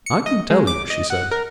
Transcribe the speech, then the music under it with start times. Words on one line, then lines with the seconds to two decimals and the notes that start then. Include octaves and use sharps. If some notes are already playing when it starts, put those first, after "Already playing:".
"I can tell you," she said.
0.06 C#7
0.26 D#5
0.50 G#3
0.67 D6
0.90 D#5
1.10 F#5
1.31 A#4